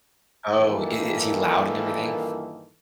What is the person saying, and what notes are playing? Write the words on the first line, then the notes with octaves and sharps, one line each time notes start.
Oh, i is he loud and everything?
G2 A#2 D#3 E3 A#3 A4